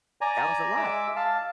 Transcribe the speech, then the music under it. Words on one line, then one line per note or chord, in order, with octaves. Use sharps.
That was a lot,
D5 G#5 A#5
G#3 E5 D6 E6
F5 A5